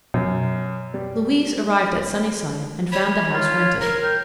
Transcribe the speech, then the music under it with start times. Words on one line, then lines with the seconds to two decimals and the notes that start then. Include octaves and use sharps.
Louise arrived at Sunnyside and found the house rented.
0.14 F#2 B2
0.94 G3
2.92 C#5 B5
3.33 F4
3.81 A#4 A#5
4.03 G5